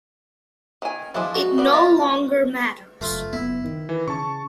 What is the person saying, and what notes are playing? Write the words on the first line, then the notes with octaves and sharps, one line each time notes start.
It no longer matters.
D#3 G#5
F3 G#3 D4 E4
F#4
B3 D5
E4 F4 F5 A#5
F#1 A3 F4
F#1 B3 E4
D#3
E3
C#3 A5 C#6